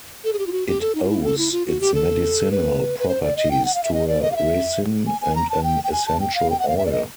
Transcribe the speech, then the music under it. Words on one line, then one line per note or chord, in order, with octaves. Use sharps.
It owes its medicinal properties to a resin and an essential oil.
A4
G#4
G4
F4
F#4
G4
A4
D#4
F4
E4
A4
E4
F4
F#4
G4
A4
B4
B4
C5
D5
D#5
G5
F#5
F5
E5
D#5
D5
D#5
F5
E5
G#5
G#5
A#5
A5
G5
G5
G#5
A5
G5
F5
G5
F#5
F5
E5
D5
D#5